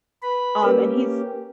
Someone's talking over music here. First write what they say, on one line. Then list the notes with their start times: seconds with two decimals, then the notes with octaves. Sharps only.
um, and he's
0.22 B4 B5
0.63 A#3 C#4 G4 A#4 B4